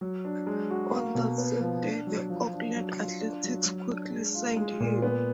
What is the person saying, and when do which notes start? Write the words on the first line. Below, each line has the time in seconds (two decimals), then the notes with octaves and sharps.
On that same day, the Oakland Athletics quickly signed him.
0.01 F#3
0.25 D4
0.47 G#3
0.70 F#4
0.93 A#3
1.15 B2
1.38 B3
1.61 F3
1.83 D4
2.07 F#3
2.29 F3
2.53 D4
2.76 F#3
2.97 F4
3.20 D4
3.44 F#3
3.66 F#3
3.89 D4
4.11 G#3
4.34 F4
4.57 G#3
4.80 A#2
5.02 B3